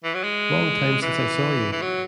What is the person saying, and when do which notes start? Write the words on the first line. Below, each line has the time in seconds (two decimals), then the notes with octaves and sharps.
Long time since I saw you.
0.04 E3
0.14 F#3
0.23 G#3
1.02 E3
1.72 E3
1.82 F#3